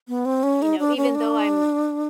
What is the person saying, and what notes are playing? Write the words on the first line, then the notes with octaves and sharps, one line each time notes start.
m you know, even though I'm
B3
C4
C#4
D#4
D4
C#4
D4